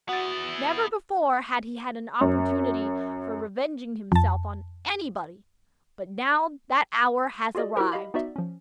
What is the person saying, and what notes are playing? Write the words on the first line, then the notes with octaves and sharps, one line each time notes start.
Never before had he had an opportunity for revenging himself on anybody, but now that hour had arrived.
B3 E4 F#4 A6
F#2
F2 A5
F4 F#4 G#4 D5 D#5
E4 F#4 G4 A#4 C5
G4 D#5 F5 B5
B3 D#4 F#4 D5 E5
F3 C#4